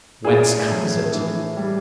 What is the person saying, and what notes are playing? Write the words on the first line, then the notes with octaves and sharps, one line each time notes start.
Whence comes it?
A2 G#4
A2
E3
G3